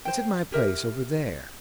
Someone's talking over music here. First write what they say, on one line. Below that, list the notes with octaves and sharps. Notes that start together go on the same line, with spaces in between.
It's at my place over there.'
C5 G5
G4 A#4 E5